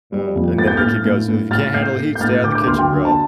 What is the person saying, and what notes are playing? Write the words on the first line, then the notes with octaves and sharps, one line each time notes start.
Uh, and then the kid goes, "if you can't handle the heat, stay out of the kitchen, bro."
G3
F2
A3 A6
G6
A2 F6 A6
A2
A2
A2 F6 A6
A2 G6 C7
A3
G6
A2 F6 A6
D3 D6 G6
D6 G6
D2 C6 F6
G5 C6
D3
A5